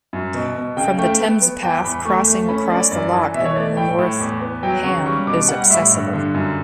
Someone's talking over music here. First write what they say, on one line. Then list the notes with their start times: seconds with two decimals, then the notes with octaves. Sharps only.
From the Thames Path crossing across the Lock in the north Ham is accessible.
0.13 F#2
0.34 B2
0.56 B2
0.77 C#3 G5
0.98 A3 G5
1.20 B3
1.42 B3
1.63 E2 G5
1.84 E2 B5
2.05 A3 C#6
2.27 A3
2.48 C#4 B5
2.70 C#4 D5
2.91 F#2 D5
3.13 E3
3.34 B2 E5
3.45 C#5
3.56 A3 D5
3.77 A2 G5
3.99 A2
4.20 E2
4.41 B3
4.63 F#3 G5
4.84 C#3 C#6
5.06 G3 C#6
5.27 B2 D6
5.49 G3 F#5
5.70 A2 E5
5.92 G2
6.13 D3
6.34 F#2